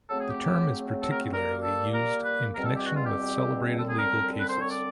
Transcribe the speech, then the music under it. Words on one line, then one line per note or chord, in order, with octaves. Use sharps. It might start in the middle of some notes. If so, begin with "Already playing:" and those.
The term is particularly used in connection with celebrated legal cases.
C#3 F#3 A3 C4 A4
G#4
G4
A4
A#4
A#2 G3 A#3 A#4
A4
A#4
B4
E2 B2 G3 C4 A#4
A4
G4
F#4
F4
G4
F#2 D3 G3 C4 A4
G#4
A#4
B4
C5
C#5
D5